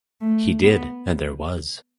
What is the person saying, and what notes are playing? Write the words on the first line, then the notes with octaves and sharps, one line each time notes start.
He did, and there was.
A3
B3